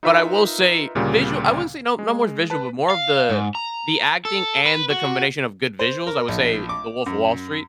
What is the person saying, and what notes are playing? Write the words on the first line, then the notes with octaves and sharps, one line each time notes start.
But I will say visual I wouldn't say no no more visual, but more of the the acting and the combination of good visuals, I would say, "The Wolf of Wall Street,"
D#4 F4 A#4 B4 E5
D2 A#2 C#3 G3 A#3
G#3
B4 A5
F5
G#2
A#5
A4
B4
F#4
C5
A#4
A#1
D6
F#2